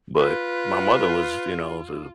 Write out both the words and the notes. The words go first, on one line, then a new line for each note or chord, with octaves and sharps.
but my mother was, you know, the
F4 B4